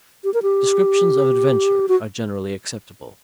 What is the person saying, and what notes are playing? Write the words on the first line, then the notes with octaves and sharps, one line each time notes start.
Descriptions of adventure are generally acceptable.
G4
A#4
G4
F#4